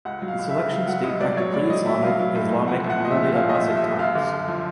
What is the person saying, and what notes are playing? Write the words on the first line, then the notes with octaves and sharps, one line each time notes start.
The selections date back to pre-Islamic, Islamic and early 'Abbasid times.
C#2 F#5
F#3
F5
C#2
E5
C#3
C#3 F5
F#3 F#5
C#2 D#5
F#3 D5
F#3 C#5
A2 D5
F#3 D#5
F#3 E5
F#3 F5
F#3
A2
A2
F3 F#5
C2
F#5
A#2 D#5
E5
F3
A#2 F5
F3 D#5
E5
C2
E5
C2
F#2 F5
D3
F#2
F3